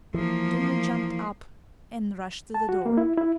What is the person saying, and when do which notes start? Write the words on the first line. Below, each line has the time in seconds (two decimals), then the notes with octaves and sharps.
Dounia jumped up and rushed to the door.
0.14 E3 F3 A#3
2.54 A5
2.69 F#4
2.86 A#3
2.97 E4
3.17 E4